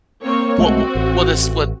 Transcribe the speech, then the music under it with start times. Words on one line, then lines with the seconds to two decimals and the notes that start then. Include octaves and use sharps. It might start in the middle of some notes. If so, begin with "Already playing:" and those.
wha what is what
0.23 A#3 C4 C#5
0.58 B1 G#3 A3 C4 F#4
0.95 A1